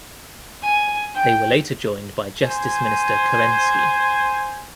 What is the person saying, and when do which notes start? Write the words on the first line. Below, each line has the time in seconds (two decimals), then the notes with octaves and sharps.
They were later joined by Justice Minister Kerensky.
0.62 G#5
1.15 G5
2.43 C5 G#5